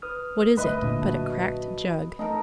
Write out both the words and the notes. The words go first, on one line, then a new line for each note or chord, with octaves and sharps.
What is it but a cracked jug?
B4 D#6 F6
G1 A3 B4 D#5 E5
A#2 D3
B1 F#4 A5
A3 D#4 A4 A#4